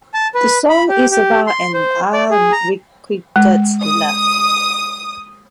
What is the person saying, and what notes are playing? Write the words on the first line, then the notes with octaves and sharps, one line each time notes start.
The song is about an unrequited love.
A5
B4
B5
G4
G4
C6
C5
D5
G#4
A#5
G#3
D#6